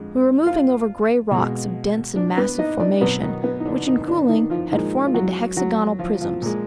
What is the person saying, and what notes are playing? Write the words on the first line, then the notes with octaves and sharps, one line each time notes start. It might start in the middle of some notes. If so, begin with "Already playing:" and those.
We were moving over grey rocks of dense and massive formation, which in cooling had formed into hexagonal prisms.
Already playing: F2 D3 G#3
F4 F5
B2 G#3
D4 D5
B3 B4
D#4 D#5
D4 D5
B2 F#3 B3 B4
D#3 D#4
B3
D#4
D3 D4
D#3 D#4
D3 D4
D#3 D#4
F3 F4
A#2 D#3 F3 G#3 D#4
F4
F#3 F#4
F#3 F#4
F3 F4
F3 F4
A#2 G#3